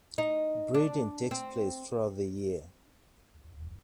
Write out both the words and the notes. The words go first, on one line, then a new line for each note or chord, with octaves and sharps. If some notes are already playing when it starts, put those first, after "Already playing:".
Breeding takes place throughout the year.
D#4
D4
C4